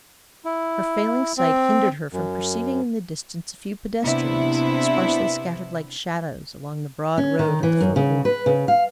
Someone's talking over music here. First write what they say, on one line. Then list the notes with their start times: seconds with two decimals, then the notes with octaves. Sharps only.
Her failing sight hindered her from perceiving in the distance a few pedestrians, sparsely scattered like shadows, along the broad road of the faubourg.
0.45 E4
1.38 C4
2.13 F#2
4.03 C3 B3 D4 E4 E5
7.18 C#4
7.39 D#3
7.63 E3
7.81 F#2
7.96 C#3
8.25 B4
8.46 C#3
8.68 F5